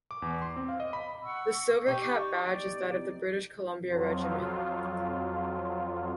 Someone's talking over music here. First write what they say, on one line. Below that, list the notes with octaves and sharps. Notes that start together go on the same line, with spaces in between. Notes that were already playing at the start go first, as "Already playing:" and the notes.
The silver cap badge is that of the British Columbia Regiment.
D6
E2
C6
C4
F5
D#5
B5
F#5 C#6 E6
D#4 G4 C#6 D6
D5 C#6
D5
F2 F3 F#3 F4